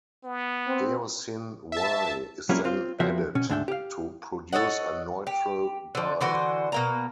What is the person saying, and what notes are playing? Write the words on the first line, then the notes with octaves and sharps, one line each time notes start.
Eosin Y is then added to produce a "neutral" dye.
B3
C4
E5 A5
F#3 G3 A#3 C#4 E4 F4
C4 F4
F2 F3 B3 F#4 E5
B2 C#4
D2 G#2 D4 E5 G5
G4 F5
A4 C#5 D#5 F#5
G4
D3 F3
D3 E3 F#4 C5
B2 A#3 A#5